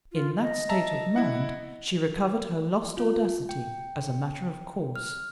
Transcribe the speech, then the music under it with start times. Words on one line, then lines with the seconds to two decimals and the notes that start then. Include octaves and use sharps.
In that state of mind she recovered her lost audacity, as a matter of course.
0.12 F4
0.41 D#5
0.69 E5 A5 A#5
1.16 E4 F#5
2.97 F4
3.49 G5
4.96 F6